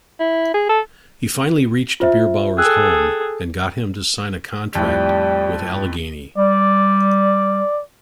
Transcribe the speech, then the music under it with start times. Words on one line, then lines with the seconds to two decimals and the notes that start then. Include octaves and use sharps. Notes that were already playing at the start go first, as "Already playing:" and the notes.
He finally reached Bierbauer's home and got him to sign a contract with Allegheny.
0.20 E4
0.54 G#4
0.69 A4
2.00 F4 C5 E5
2.58 G#4 A4 G5 E6 F#6
4.75 F2 A2 G3
6.38 G3 D5